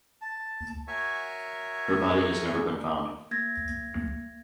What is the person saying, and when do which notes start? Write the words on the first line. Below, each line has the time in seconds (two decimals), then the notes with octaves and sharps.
Her body has never been found.
0.22 A5
0.88 F#4 A#4 C#5 E5 G#5 C#6
3.31 A#3 G#6 A#6